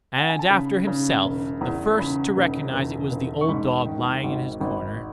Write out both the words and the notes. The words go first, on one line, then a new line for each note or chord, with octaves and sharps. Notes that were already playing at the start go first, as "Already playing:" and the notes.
And, after himself, the first to recognise it was the old dog lying in his corner.
F#5
G#5
A5
C#3 B5
C#3
E1
E2
C#3 B5
E1
E1
E1
C#6
G#2 B5
D#3
G#1
G#1